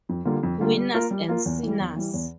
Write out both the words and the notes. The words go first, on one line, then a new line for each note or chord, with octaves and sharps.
Winners and sinners.
F2
D3 G3 A#3 F4
F2
D3 G3 A#3 F4
G3
A#3 F4 A#4
G3
A#3 F4 A#4
E2
E3 G3
E2
E3 G3
E2